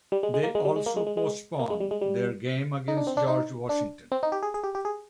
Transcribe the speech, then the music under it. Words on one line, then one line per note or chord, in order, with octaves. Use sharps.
They also postponed their game against George Washington.
G3
G#3
G#3
A#3
G#3
G3
G#3
A#3
G#3
G#3
G#3
A#3
G#3
G3
G#3
G3
D#4
D4
C4
D4
D#4
D4
C4
D#4
G4
G#4
G#4
G4
G4
G#4